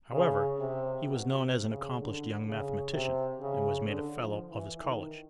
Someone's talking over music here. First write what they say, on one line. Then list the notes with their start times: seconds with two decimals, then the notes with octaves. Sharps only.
However, he was known as an accomplished young mathematician, and was made a fellow of his college.
0.12 C#3
0.59 C3
1.06 B2
1.37 C3
1.69 C#3
1.99 D3
2.47 C#3
2.93 C3
3.40 C#3
3.88 D3
4.18 F3
4.50 E3
4.81 D#3